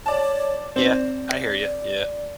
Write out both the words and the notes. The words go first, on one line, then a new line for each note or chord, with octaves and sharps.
Yeah, I hear you, yeah.
C#5 D5 A5
C4 D5 E7